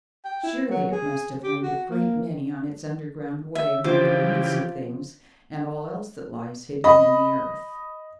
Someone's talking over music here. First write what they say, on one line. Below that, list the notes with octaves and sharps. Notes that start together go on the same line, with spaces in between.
Surely it must have learned a great many on its underground way among the roots of things, and all else that lies hidden in the earth.
G5
E4
F#3
G#4
G4
F#4
A#3
E5
C#3 E3 F3 F4 G4 C5 D6
D#5 B5